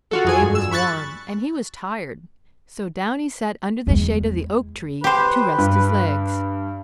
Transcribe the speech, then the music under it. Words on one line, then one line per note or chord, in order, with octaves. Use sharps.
The day was warm, and he was tired; so down he sat under the shade of the oak-tree to rest his legs.
F4 F#4 A4
F2 G#4 G#5
G2
E6
B5 C#6 F#6 A6
E2 G#3
G4 B4 C5
G2